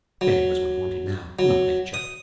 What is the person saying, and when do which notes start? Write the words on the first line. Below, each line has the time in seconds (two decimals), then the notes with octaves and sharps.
Bed was what he wanted now, not nature.
0.21 F#3
1.39 F#3
1.94 D#6